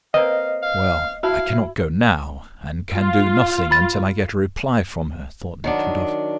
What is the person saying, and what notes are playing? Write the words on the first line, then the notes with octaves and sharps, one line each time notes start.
"Well, I cannot go now, and can do nothing until I get a reply from her," thought Nekhludoff.
A#3 C4 B4 D#5 F5
F5
E4 F#4 E5 F5 A5
F4
B5 A6
D#3 F#3 D4